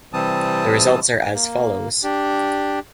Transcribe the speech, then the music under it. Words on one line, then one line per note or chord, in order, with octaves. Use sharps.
The results are as follows.
C3 E3 G3 C4 A5 D#6
A#3
D4 G4